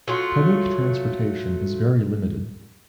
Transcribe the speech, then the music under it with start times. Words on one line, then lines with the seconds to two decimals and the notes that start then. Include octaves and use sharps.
Public transportation is very limited.
0.08 F#3 A3 F4